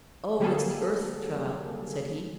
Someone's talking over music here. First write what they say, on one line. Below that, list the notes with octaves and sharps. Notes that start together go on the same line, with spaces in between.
"Oh, it's the Earth Child," said he.
D3 F#3 G3 A#3 G#4 A4